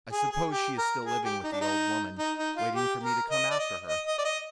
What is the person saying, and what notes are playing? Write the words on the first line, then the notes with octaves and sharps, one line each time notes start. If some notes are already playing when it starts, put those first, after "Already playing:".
I suppose she is still living with the old woman, waiting for me to come after her.
G#4
G#4
G4
A#4
G#4
G4
D#4
D4
D#4
D#4
D#4
F4
G4
A#4
D#5
D5
D#5
D#5
D#5
D5
D#5